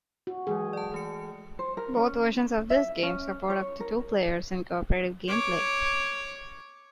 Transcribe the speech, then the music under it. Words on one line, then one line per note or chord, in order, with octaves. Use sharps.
Both versions of this game support up to two players in cooperative gameplay.
F#4
E3 F#3 G#3 G#4
D5 A5
E3 A3 C#7
C5
A#4
C#4
E5
C#4
C#5
A#4
C#5 D6